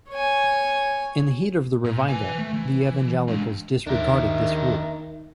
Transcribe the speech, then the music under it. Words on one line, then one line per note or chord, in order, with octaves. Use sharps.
In the heat of the revival, the evangelicals disregarded this rule.
C#5 G#5
A#2
B4 G#5
A3
E3
G#3 D4
D#2 D#3 D4 A#4 E5